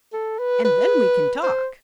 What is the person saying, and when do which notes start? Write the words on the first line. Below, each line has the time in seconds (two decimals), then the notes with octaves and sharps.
And then we can talk.
0.13 A4
0.39 B4
0.65 B4
1.43 C5